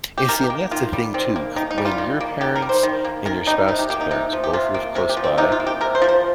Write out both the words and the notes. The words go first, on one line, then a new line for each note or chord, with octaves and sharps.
And see, and that's the thing too, c when your parents and your spouse's parents both live close by,
G4
D#3 A#4
G4
A#3
D#3 F4
G3
D#3 C4
A#3
D#3 D#4
D#4
G3
F4
D#3
A#3
D#3 G4
A#4
G3
C5
D#3
A#3
D#3 A#4
G3 D#4
C3 D#4
G4
A#3 G4
D#4
C3 D#4
F3
G4
C3 F4
A#3
C3 A#4
G4
F3
C4
C3 D#4
F4
A#3
G4
C3 A#4
C5
F3 A#4
C5